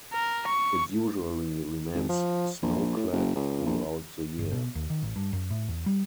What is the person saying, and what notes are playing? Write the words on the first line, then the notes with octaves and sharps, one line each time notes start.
It usually remains snow clad throughout the year.
A#4
C#6
G#1
F3
A#1
A2
F#1
C#2
A#1
G1
B2
D#2
D#3
A1
G2
F#2
A2
E2
G3